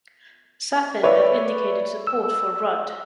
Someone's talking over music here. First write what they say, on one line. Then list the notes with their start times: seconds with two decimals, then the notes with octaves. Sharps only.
Saffin had indicated support for Rudd.
1.03 B4 C#5 D5 E5
2.07 E6